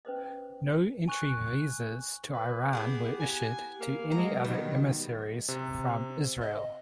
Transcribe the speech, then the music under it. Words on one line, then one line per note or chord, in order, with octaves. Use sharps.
No entry visas to Iran were issued to any other emissaries from Israel.
C#4 B4 C5 D#5
G#5 C#6 F#6
B4
B3 E4 G4 G#4
G#5
A#3
F#3 G#3 A#5
B2 D#3 F#3 G3 B3
C3
D#5